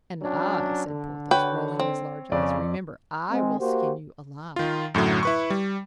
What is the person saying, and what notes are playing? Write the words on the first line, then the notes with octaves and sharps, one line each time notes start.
"And I," said Porthos, rolling his large eyes, "remember, I will skin you alive."
F#3 C#4 D4
D3
F#4 B4 C#5 G5
C4
F2 C#3 D5
G#3 C4
A#3 F#4 G4 C5
D#3 F4
F#2 A2 D3 F#3
E4 B4 C#6
G3